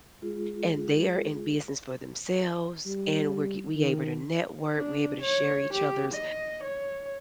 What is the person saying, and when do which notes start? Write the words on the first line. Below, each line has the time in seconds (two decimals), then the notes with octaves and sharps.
and they are in business for themselves, and we're ge we able to network, we able to share each other's,
0.22 G#3 F4 G#4
2.86 G3
3.76 D#3
4.78 D4
5.22 C#5
5.73 G4
6.14 D#5
6.63 C#5